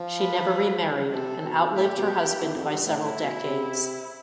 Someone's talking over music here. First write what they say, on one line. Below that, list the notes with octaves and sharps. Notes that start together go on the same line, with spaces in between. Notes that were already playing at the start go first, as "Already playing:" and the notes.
She never remarried and outlived her husband by several decades.
Already playing: F3
B4
C3 A4
B2
A2 G4
B2
E2
F2
G2
A2
A2 E4
B2
C3